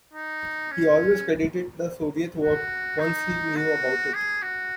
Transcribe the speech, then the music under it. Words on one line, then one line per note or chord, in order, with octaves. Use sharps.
He always credited the Soviet work once he knew about it.
D#4
C#4
F#4
D#4
F#4
G#4
F#4